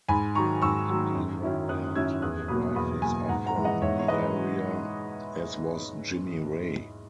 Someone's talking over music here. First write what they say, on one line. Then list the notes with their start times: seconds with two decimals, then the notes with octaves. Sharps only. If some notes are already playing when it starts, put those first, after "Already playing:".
The indie rock band The Rifles are from the area as was Jimmy Ray.
0.08 G#2 G#5 B5
0.35 D#3 F#3 A#5 C#6
0.62 G#2 C#6 E6
0.89 D#3 F#3
1.15 F#2
1.42 D#3 F#3 C#4 E4
1.68 F#2 D#6 F#6
1.95 D#3 F#3 C#4 E4 E6 G#6
2.22 E2 D#6 F#6
2.48 B2 F#3 A#3 B5 D#6
2.75 E2 B5 D#6
3.02 B2 F#3 A#3 G#5 B5
3.29 G#2 F#5 A#5
3.46 F#5 A#5
3.56 E3 G#3
3.64 D#5 F#5
3.82 G#2 C#5 E5
3.99 C#5
4.08 E3 G#3 B4 D#5